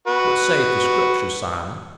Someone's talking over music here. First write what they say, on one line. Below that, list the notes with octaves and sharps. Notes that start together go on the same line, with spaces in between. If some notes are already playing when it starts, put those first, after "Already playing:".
What saith the Scriptur', Simon?
F#4 B4